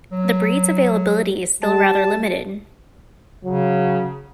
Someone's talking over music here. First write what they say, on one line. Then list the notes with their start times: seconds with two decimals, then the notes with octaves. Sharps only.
The breed's availability is still rather limited.
0.12 F#3
1.63 G3 A5
3.44 C#3 F#3